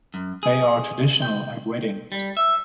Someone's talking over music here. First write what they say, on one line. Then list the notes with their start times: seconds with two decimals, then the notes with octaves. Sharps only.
They are traditional at weddings.
0.14 F#2
0.43 G#4
1.22 G5
2.12 G3
2.37 E5